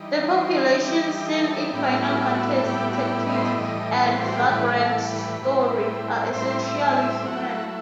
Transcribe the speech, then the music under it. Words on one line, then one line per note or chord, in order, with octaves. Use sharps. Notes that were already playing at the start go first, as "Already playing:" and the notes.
The populations seen in "Final Fantasy Tactics" and "Vagrant Story" are essentially human.
Already playing: E3 G3 D#4
D#5
C5
E3 G3 D#4 G4
G4
A4
A2 G3 B3 E4 G4
G4
F#4
G4
F#4
A4
A2 G3 B3 E4 G4
F#4
G4
D#5
C5
D#5
A2 E3 G3 D#5
C5
F#4
G4
A4
A2 E3 G3 B4
A4
B4
A2 G3 C4 E4
A2 G3 C4 E4 C5
E5
D#5
E5
F#3 A3 E4 F#5
G5
F#5